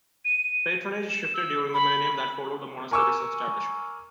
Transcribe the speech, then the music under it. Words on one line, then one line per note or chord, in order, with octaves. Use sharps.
Patronage shifted during the millennium that followed the monastery's establishment.
D#7
E7
E6
B5
A#4 G#5 C#6 D6 E6